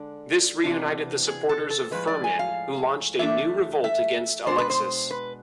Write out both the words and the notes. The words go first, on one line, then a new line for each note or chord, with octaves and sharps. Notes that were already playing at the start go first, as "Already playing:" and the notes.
This reunited the supporters of Firmin, who launched a new revolt against Alexis.
Already playing: D3 G#3 D4
C3 E3 B3 D4
G#4
A4
A4
A2 F3 G#3 B4
D5
G#5
F5
E3 A3 D4 E5
E5
B2 G#3 D4 C5
B4
C5
B4